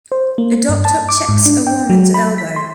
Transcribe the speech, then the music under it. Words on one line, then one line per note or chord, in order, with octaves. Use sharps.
A doctor checks a woman 's elbow.
C5
A#3
G2
A5
D6
G#2
D4
G5
F#3
B5
B6
C6